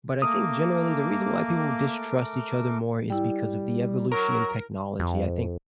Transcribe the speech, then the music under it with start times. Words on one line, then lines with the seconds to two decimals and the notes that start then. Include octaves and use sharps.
But I think, generally, the reason why people distrust each other more is because of the evolution in technology, I think
0.22 A3 A#3 A#4 D6 D#6
3.10 G3 E4 G5
4.12 F#3 A#4
4.99 F2